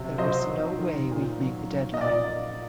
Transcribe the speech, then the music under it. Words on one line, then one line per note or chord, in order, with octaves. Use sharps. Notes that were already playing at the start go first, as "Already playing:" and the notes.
There was no way we'd make the deadline.
Already playing: C3 F#3
F#3 C5 D#5
D#3
D#3
A#2
F#3
F#3
D#5
A#2 D5